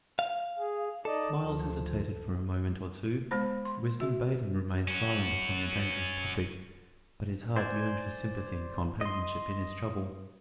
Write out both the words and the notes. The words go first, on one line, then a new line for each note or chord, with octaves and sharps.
Myles hesitated for a moment or two; wisdom bade him remain silent upon the dangerous topic, but his heart yearned for sympathy and companionship in his trouble.
F5
G#4
D#4 A4 D5 D#5
D2 F3
G#3 B3 C5 B5
C6
F#4 E5
C#4 F#4
C5 D5 G#5
D#5 C6